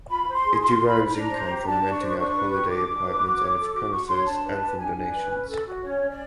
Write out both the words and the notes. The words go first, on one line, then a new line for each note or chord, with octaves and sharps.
It derives income from renting out holiday apartments on its premises and from donations.
F4 B5
C5
C6
G#4
F4 C6
F4
B5
C5
D4 A#5
C5
G4
A#5
D4 A5
D4
C#6
C5
D4 C#6
B4
G4
D4 D6
D4
B4
F#4
C#5
A4
F#4 D6
F#4 C#6
C#5 C6
D4 A5
B4
G4
D4 G#5
D4
B4
C#4
A4
F#4
C#4 C#5
C#4
D5